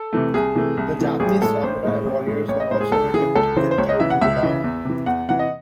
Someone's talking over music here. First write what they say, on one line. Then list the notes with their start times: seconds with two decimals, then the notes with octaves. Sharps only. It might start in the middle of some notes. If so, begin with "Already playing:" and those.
The Japanese samurai warriors were also adept with the wodao.
Already playing: A4
0.13 C3 E3 A3
0.34 C2 G#4
0.55 C3 E3 A3
0.77 C2
0.99 C3 E3 A3
1.20 A1 G#4
1.42 A2 G#3 A4
1.63 A1 C5
1.85 A2 G#3
2.06 A1
2.27 A2 G#3
2.48 A1 C#5
2.60 D#5
2.71 A2 G#3 C5
2.81 G#4
2.92 C#2 A4
3.14 C#3 E3 G#4
3.35 C#2 A4
3.56 C#3 E3 C5
3.71 C5
3.78 C#2 C#5
3.89 D#5
3.99 C#3 E3 E5
4.10 F#5
4.21 C#2 E5
4.43 C#3 E3
4.64 E2
4.85 C3 E3
5.06 E2 F#5
5.29 C3 E3 F#5
5.39 D#5